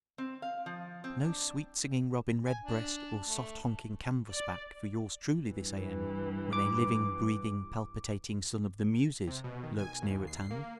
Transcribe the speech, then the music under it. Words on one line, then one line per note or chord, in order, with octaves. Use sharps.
No sweet-singing robin-redbreast or soft-honking canvasback for yours truly this A.M., when a living, breathing, palpitating son of the Muses lurks near at hand.
C4
F5
F3
C4
D4
G#5
D4
A3
D5
G2 E3
D6
C3
B2
D#3
G#5
D#2
C7
A#3